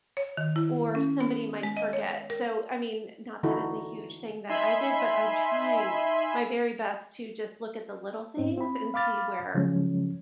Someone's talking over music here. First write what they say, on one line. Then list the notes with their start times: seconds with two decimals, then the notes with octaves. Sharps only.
or somebody might forget, so, I mean, not that it's a huge thing that I did, but I'm trying my very best to just look at the little things and see where
0.17 C#5
0.37 D#3
0.56 E4
0.95 C#4
1.21 B3
1.63 G#3
1.77 D#5
1.93 C#5
2.30 A#4
3.43 D3 E3 D#4 E4 F#4 A4
4.49 D#4 E5 G#5 B5 C6
8.37 G#2 C4 C#4 D#4
8.58 C4 B5
8.94 F5 B5 D6 F6 A6
9.54 C#3 F3 F#3 G#3 C#4